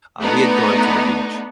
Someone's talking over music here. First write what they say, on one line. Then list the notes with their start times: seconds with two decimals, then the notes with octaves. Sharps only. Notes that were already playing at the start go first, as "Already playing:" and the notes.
uh, we had gone to the beach,
0.22 A3 B3 D4 D#4